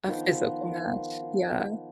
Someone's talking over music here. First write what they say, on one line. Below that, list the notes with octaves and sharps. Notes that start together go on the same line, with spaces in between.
a physical match, yeah.
D#3 F3 B3 C5